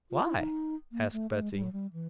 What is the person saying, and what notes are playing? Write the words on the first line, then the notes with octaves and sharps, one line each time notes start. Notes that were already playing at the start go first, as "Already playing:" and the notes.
"Why?" asked Betsy.
F4
E4
D#4
A#3
A3
A3
G#3
G3
F#3
G3
E3